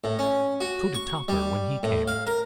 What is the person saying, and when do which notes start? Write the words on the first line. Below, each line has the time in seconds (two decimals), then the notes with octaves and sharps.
So did Topper when he came.
0.04 A2
0.19 C#4
0.61 F#4
0.95 C#6
1.28 G3
1.83 A2
2.08 F5
2.27 A#4